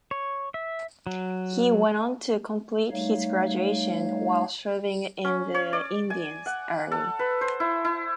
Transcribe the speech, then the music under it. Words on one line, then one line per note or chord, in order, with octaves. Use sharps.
He went on to complete his graduation while serving in the Indian Army.
C#5
E5
F#3
G3 A3 D#4 C#5 F5
C#4
C#5
D5
G#5
F#5
A4
B4
C5
E4
E4